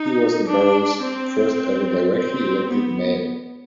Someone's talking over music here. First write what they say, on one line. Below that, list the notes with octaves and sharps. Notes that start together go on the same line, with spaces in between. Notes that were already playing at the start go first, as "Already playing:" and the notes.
He was the Borough's first ever directly elected mayor.
Already playing: D#4
D4
C4
C4
B3